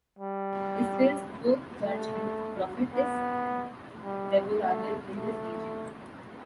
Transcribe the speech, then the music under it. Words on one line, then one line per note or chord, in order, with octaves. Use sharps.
Israel's fourth judge and prophetess Deborah lived in this region.
G3
A3
B3
G3
A3
A3